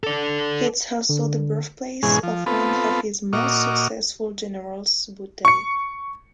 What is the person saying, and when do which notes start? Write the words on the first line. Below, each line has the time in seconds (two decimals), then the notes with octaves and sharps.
It is also the birthplace of one of his most successful generals; Subutai.
0.03 A4 D5
1.09 D3
2.03 G#2 B2 E3 G#3 C#4 G#4
2.23 F3
2.46 B3 C4 F4 A4 B4
3.33 A#2 F#4 D#5 C#6 D6 F6
5.45 C#6 C#7